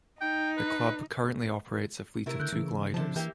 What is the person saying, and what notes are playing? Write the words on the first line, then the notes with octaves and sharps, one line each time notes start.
The club currently operates a fleet of two gliders.
D#4 G5
B4
C3 A3 E4 A#4
D3 F#6 G6
C#3 E3
C3 F3 D4 A5
E3 A#3 E4 G4